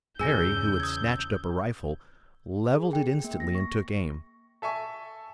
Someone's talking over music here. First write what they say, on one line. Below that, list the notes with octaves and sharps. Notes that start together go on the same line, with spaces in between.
Harry, who had snatched up a rifle, levelled it instantly and took aim.
E2 C#3 G#4 G#5 E6 G6 A#6
D#6 G#6
G#4
G5
A#3
A#6
C#6
A4 E5 G#5 C#6